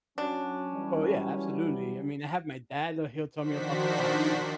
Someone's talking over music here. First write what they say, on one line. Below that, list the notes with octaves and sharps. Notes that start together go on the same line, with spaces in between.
Oh yeah, absolutely. I mean, I have my dad, l he'll tell me about the politics.
F#3 C#4 D4
E3 F#3 G3
D#3 F3 D4 F#4 C5 B6